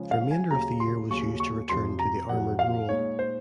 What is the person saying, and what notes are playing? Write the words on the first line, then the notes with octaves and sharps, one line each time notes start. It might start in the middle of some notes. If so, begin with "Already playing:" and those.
The remainder of the year was used to return to the armoured role.
Already playing: C#3 F3 G#3 C#4
F5
G#5
D#2 C#3 F#3 A#5
C6
D#2 C#3 F#3 C#6
C#6
F2 C3 F#3 C6
A#5
F2 C3 F#3 F#5
F5
A#2 G#3 D#4 C#5
C5